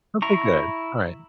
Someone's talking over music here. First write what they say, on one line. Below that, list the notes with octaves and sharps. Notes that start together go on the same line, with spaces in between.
Okay, good, alright.
E4 A#5 C#6